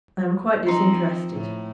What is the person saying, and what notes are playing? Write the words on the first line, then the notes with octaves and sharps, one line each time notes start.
I am quite disinterested.'
F3 C4 D#4 C6
A2